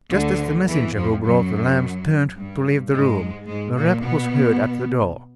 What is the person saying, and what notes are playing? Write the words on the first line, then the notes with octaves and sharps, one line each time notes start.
Just as the messenger who brought the lamps turned to leave the room, a rap was heard at the door.
D2 D3
E2 E3
F2 F3
F#2 F#3
G2 G3
G#2 G#3
G#2 G#3
A#2 A#3
B2 B3